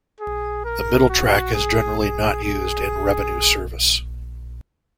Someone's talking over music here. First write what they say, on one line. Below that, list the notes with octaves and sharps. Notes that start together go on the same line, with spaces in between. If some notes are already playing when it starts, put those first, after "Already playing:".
The middle track is generally not used in revenue service.
G#4
A#4
F#4
G#4
G#4
G#4